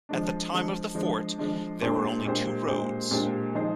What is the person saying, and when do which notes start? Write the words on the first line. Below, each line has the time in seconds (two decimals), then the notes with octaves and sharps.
At the time of the fort, there were only two roads.
0.09 F3 G#3 D4
0.52 F3 G#3 D4
0.95 F3 G#3 D4
1.38 F3 G#3 D4
1.82 A#2 G#3 D4 G4 C5
2.25 A#2 G#3 D4 G4 C5
2.67 A#2 G#3 D4 G4 C5
3.11 A#2 G#3 D4 G4 C5
3.54 F3 G#3 D#4 G#4 C5